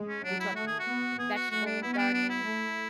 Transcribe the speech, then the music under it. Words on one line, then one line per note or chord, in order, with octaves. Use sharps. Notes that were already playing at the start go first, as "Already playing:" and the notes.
are we talking vegetable gardening?
Already playing: G#3
C#4
F#3 D4
E4
A3 F#4
G#4
F#4
B3
B3 G#4
F#4
A3 F#4
D4
B3 E4
C#4
D4
D4
E4
A3